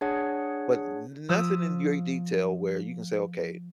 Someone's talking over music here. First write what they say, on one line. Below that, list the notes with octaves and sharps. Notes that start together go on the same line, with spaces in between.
but n nothing in your detail where you can say, "Okay,
D4 G#4 C#5 F#5
F3 D#6 E6 B6